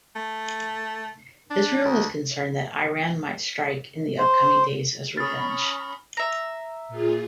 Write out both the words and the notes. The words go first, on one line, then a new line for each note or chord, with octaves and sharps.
Israel is concerned that Iran might strike in the upcoming days as revenge.
A3
D4
D2
C5
C#4 A#5 B5 C#6 D#6 F6 A6
E5 A#5
A#2 F4 G#4